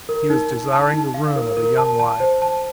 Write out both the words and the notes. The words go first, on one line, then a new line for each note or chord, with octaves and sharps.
He was desiring the ruin of a young life.
A#4
D#4
D#4
A5
D#4
F5
A#4
A#4
A5
A5
C5
A5